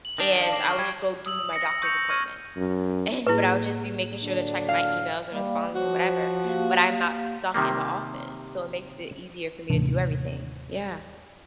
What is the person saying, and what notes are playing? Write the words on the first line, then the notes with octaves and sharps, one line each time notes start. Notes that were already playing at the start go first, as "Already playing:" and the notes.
and I would just go do my doctor's appointments, and but I would just be making sure to check my emails and responding to whatever, but I'm not stuck in the office, so, it makes it easier for me to do everything, yeah.
F#7
D#3 D4 A#6 D7 E7
D5 F5 A5
D6 A#6 C7
C#6 F6
G3 G#6
D#6 E6 F#7
A#6 C#7
C#6 G6 A#6 C#7 F7
C#6 F6 G#6 D#7
F#2
A2 A#3 E4 G#4 B4
D3 F#3 D4
F5
G3 A#3 F5
F3 F#4 C5 C#5
A#3 G4 F5
C3 D#3 G3 A#3
D#2 A2 C3 E3 D4